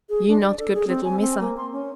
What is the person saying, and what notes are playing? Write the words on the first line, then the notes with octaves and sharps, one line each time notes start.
You not good little Missa.
G#4
D4
D5
A4
G#4
C4
G#5
C4
A#3
C6
C#4